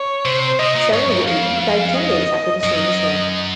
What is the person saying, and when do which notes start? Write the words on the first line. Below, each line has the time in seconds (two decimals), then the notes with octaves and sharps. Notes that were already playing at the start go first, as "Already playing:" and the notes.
Sarah Whitley died ten days after the scene was filmed.
Already playing: C#5
0.25 C3 C5
0.59 C3 D#5
0.75 A#2
0.92 G#2 C#5
1.05 F2
1.11 F#2
1.27 F2 F5
1.95 D#5
2.63 F#2 D#5